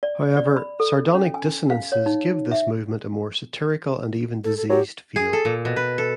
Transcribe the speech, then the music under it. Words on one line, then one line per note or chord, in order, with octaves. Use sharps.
However, sardonic dissonances give this movement a more satirical and even diseased feel.
D5
D5
B5
A4
C#4
G#5
F5
C#5
D#4
E5
A4
A4
F#3 G4
G#4
A4
A#2
B2
B4
A4